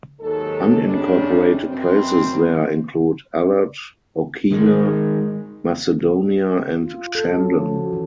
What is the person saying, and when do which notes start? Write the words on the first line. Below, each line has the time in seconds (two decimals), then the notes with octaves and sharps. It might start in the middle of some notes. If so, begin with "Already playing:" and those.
Unincorporated places there include Alert, Okeana, Macedonia, and Shandon.
0.21 D#2 G#2 F#3 A4
0.84 G2 C3 G3 G#3 C#4 D4
1.69 F#2 B2 E3 C4
4.52 D#3 G#3
6.82 F4
7.15 A4
7.31 C#4
7.58 F3
7.74 F#4
7.93 E3